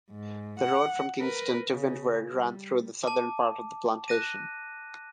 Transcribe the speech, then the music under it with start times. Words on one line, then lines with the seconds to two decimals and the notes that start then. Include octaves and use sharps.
The road from Kingston to Windward ran through the southern part of the plantation.
0.11 G#2
0.60 F#5
1.20 A#4 B4
1.70 C#3
2.32 G3
3.03 A5 D6
4.08 F#6 A#6 D#7